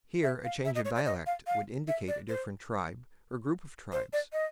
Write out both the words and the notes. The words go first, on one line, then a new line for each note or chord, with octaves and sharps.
Here, a change of dialect would indicate a different tribe, or group of tribes.
E5
F5
E5
D#5
C#5
D5
D#5
F5
F5
E5
D5
C5
C5
D5
D#5